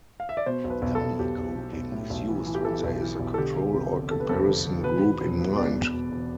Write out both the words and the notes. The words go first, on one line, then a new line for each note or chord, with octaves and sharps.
Dummy coding is used when there is a control or comparison group in mind.
F5
E5
D5
B2 C5
B1
B4
B1
A4
B1
B1 G4
B1
B2
B1
A2
B1
E3
E3
G4
E3 A4
B1
E3
B1
A4
D3 G4
D3
F1
D3
D3 A4
B4
F2 A4
D3
D3
E1 B4
E1
E1
B2
E2 D5
B2
E1
E1